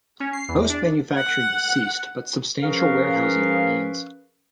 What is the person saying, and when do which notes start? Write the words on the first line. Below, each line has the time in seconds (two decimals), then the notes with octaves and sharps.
Most manufacturing has ceased, but substantial warehousing remains.
0.20 C#4
0.33 C7
0.49 E2
0.69 D4
1.16 F#5
2.62 F3 C#4 G#4 A#4 B4 F5